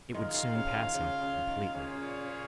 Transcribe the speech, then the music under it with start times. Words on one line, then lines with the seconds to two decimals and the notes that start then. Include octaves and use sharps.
It would soon pass him completely.
0.14 D#3 G#3 F4 G#4 F5
0.34 D#3
0.55 C#3
0.75 D#3
0.94 C#3
1.22 C#3
1.48 D#3
1.74 C#3 A#3 C#4 F4 G#4 C#5
1.93 C#3
2.02 A#2
2.28 C#3